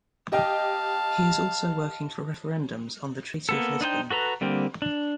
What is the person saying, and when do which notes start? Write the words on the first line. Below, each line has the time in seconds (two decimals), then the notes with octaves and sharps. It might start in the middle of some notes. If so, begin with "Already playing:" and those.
He is also working for referendums on the Treaty of Lisbon.
0.32 G4 D#5 F5 G5 A5
3.49 A#3 B3 A4
3.81 D4 D#4 C5 G5
4.10 F#4 A4 B4 A#5
4.41 D3 G3 A#3 C4
4.82 D4